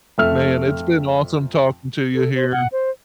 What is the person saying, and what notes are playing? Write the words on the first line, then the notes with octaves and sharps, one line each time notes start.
Man, it's been awesome talking to you here,
F2 A3 E5 F6
A4
C5
F#5
C5